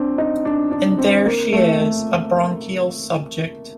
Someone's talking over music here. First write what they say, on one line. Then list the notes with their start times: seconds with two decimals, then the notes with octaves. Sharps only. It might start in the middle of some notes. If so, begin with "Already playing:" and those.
And there she is — a bronchial subject!
Already playing: C4 D4
0.18 D#4
0.45 D4
0.71 D4
0.98 C4
1.26 A#3
1.53 A3
1.80 A3